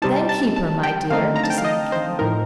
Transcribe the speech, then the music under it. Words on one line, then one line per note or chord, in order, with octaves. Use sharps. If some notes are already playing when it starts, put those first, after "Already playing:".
"Then keep her, my dear," decided Kenneth.
C3 G3 C4 D#4 A5
A5
A5
G5
D3 A3 C4 D#4 F5
A#5
A5
G5
F5
D#5
C5
A2 F3 C4 D#4 A#4